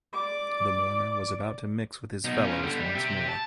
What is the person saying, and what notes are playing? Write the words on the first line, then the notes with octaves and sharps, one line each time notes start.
The mourner was about to mix with his fellows once more.
D5 D6
B2 D#4
C#4 F4
D3 G3
G3
G4 E5
A5